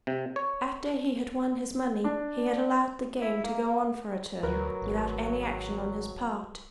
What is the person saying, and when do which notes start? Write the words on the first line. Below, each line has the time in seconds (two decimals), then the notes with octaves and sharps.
After he had won his money, he had allowed the game to go on for a turn without any action on his part.
0.07 C3
0.36 C#5
2.04 D4
3.22 E4
3.44 A#3
4.43 D2 F#3 A#4 B4
4.82 G#1